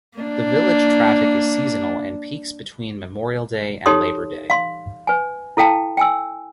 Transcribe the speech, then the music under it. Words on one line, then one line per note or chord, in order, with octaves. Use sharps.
The village traffic is seasonal and peaks between Memorial Day and Labor Day.
A#3 D4
D#4 G4 A4 C#5 C6 D#6
F5 C6
B4 G#5
E4 A4 F5 G5 A5
G5 G#5 E6